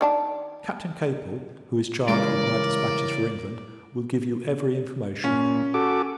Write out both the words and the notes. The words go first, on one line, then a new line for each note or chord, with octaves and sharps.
Captain Capel, who is charged with my dispatches for England, will give you every information.
D#3 D4 A5
C#3 E3 G3 G#3 A#4 D5
A#2 C#4
F#4 A4 D6